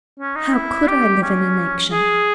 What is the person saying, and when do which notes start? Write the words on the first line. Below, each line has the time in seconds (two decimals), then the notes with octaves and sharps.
How could I live in inaction?
0.20 C#4
0.36 D#4
0.54 E4
0.88 G4
1.22 C#4
1.91 G#4